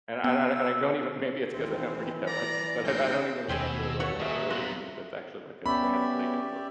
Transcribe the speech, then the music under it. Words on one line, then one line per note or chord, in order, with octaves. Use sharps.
And I and I and I don't even maybe it's 'cause I don't read that much, but I I don't even remember whether I've read anything that's actually, like, a translated work.
B3 E6
D#2 E3 C4
D5 A#5
D#2 A2 C4 G6
D#2 B2 G4 C5 G#5 E6
E3 A3 A#3 F#4 B4 C#5
F#2 A#2 G#4 D#5 E5
F#3 B3 F4 A#5 F#6
B3 C#4 G4 D5 E5 B5